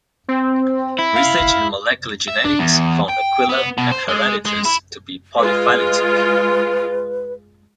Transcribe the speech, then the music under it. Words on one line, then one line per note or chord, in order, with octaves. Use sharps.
Research in molecular genetics found "Aquila" and "Hieraaetus" to be polyphyletic.
C4
E4
F5
E5
D4
E2
G5
B3
B2
C5
G#3
G#3
E4
G#3 F4 B4